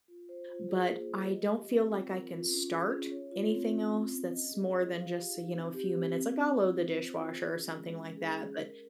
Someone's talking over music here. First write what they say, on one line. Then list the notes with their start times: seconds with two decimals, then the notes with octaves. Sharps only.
but I don't feel like I can start anything else that's more than just, uh, you know, a few minutes, like, I'll load the dishwasher or something like that, but,
0.08 F4
0.29 C5
0.49 F4
0.69 G#4
0.89 A#3
1.10 G3
1.30 D#5
1.50 G4
1.70 C4
1.90 F4
2.10 A#4
2.30 F4
2.51 C#4
2.71 G#4
2.91 C#4
3.11 C#5
3.32 F4
3.52 C4
3.72 C#4
3.92 F4
4.13 C#4
4.33 D#5
4.53 G#4
4.73 F4
4.93 F5
5.13 G4
5.34 D#4
5.54 C4
5.74 G4
5.94 C4
6.14 C4
6.34 D#4
6.55 C4
6.75 F4
6.95 C5
7.15 F4
7.36 G#4
7.55 C#4
7.76 G#3
7.96 C#4
8.17 G#4
8.37 C#4
8.57 A#4